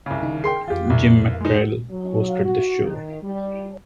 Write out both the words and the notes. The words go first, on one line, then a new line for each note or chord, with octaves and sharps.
Jim McKrell hosted the show.
C2 C#3
D#3 D#4
G#4 A#4 G5 C6 C7
F2 E3 F4 G4
C2 F2 B2
G#3 D#4
F#3
F#4
D#3
G3